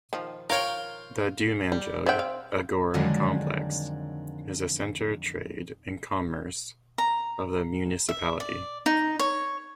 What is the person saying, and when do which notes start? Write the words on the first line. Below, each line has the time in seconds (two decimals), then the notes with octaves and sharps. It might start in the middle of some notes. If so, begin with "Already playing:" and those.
The Dumanjug Agora Complex is the center of trade and commerce of the municipality.
0.13 D#3 F3
0.50 F4 A#4 C#5 F5 G5
1.72 G3
2.06 C4 G#4 E5 F#5 G5
2.19 F5
2.94 F2 D3 D#3 F#3 G#3 D4
6.98 A#5
8.09 E5
8.40 D5
8.86 D#4
9.19 C#5